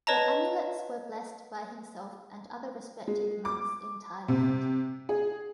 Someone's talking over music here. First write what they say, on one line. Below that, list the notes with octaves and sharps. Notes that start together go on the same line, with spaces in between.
The amulets were blessed by himself and other respected monks in Thailand.
B4 C#5 D#5 A5 A#5
G#3
D6
C3
G#4